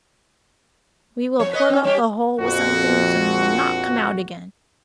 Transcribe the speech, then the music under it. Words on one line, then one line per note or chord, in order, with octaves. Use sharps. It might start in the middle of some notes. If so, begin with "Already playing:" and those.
"We will plug up the hole with something, so he will not come out again!"
F2 C#5
B4 C#5 D#5
C4 C#4
G3 C#4 G4 C#5
A#1 F2 F#4